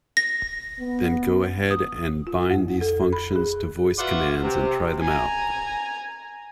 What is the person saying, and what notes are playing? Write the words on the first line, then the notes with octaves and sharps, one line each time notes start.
Then go ahead and bind these functions to voice commands and try them out.
A#6
B3
D#6
F4
F2
A4
B5
G#4
F4 F#4 B4 D5 E5 F#5
C3
G#5 A#5